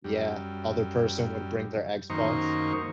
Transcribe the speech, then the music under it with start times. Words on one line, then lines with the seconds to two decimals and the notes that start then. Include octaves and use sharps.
yeah. Other person would bring their Xbox.
0.04 F#2 G3
2.10 F#2 D#3 A#3 D#4 C5 C#6